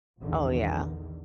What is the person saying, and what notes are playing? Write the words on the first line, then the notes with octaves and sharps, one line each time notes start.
Oh, yeah.
A#1 E2 D3 D#3